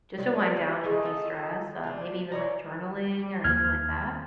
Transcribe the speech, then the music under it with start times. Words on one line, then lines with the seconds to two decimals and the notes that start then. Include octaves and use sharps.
just to wind down and destress? Uh, maybe even, like, journaling or anything like that.
0.18 F#3 G3 F4
0.83 D#3 G#3 A3 G#5
1.05 D#4 F4 A4
1.83 D4 F4
2.32 C#5 D5 A#5
3.44 D#2 F6 G#6